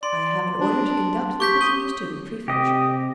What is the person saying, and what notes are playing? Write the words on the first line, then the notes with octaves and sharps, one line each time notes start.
"I have an order to conduct the prisoners to the prefecture."
D5 C6
D4
G4 C#6 G6 B6
D#6 G7
C3 G4 D#5